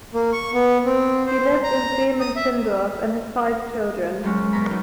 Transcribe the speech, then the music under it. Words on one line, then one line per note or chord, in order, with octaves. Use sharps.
He lives in Bremen-Findorff and has five children.
A#3
C#6
B3
C4
C5
A#5
D#6
E5
F#2 G#3 C#4
B3 C#4 A#4 B5
F#2 C#4 D#4